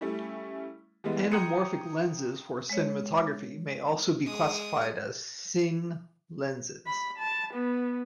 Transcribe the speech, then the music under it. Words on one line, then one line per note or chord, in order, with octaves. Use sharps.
Anamorphic lenses for cinematography may also be classified as cine lenses.
G3 A3 C#4 E4
E3 G3 G#3 B3
G5 A#5 D#6 G#6 C#7 D#7
G#3 C#5
G#3 D#6
B5
A5
B3